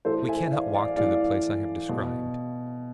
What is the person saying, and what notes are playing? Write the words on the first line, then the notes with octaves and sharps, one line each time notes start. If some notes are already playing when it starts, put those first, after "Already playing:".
We cannot walk to the place I have described.
A2 E3 A4 C5
E5 G#5
D5 F5
D5 F5
A2 E3 D5 F5
B2